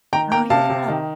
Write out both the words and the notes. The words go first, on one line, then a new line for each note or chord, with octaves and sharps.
Oh yeah.
D#3 G5 A#5
A#3 G5 A#5
C3 F5 A5
C3
D#3